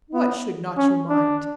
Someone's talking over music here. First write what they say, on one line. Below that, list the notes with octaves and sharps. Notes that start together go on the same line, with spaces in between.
"What should not you mind?"
B3
C#4
D4